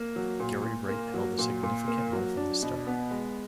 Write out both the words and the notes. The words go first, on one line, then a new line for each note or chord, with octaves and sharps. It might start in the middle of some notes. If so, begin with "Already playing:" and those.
Gary Wright held a significant role from the start.
Already playing: A#3
F#3
A#2
A#2
A#3
F#3
A#2
A#2
A#3
F#3
D4
B2
B3
G#3